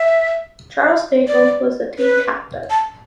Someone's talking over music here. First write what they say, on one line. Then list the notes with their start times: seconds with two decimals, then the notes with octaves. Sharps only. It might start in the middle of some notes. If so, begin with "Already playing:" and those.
Charles Nagle was the team captain.
Already playing: E5
1.28 D5
1.98 B4
2.70 A5